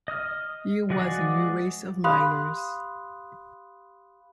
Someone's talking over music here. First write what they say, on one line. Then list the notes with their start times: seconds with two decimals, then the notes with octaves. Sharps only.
Here was a new race of miners.
0.08 D#5 D#6 F6
0.90 F3 G#3 F#4 G#4 D5
2.04 G4 F5 B5 C6 D#6 F#6